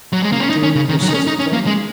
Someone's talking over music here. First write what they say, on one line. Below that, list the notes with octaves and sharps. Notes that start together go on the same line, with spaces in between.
"You do persist, then?"
F#3
G#3
A#3
C#4
D#4
C#4
C#3
D#3
F#3
D#4
C#4
D#4
C#4
A#3
G#3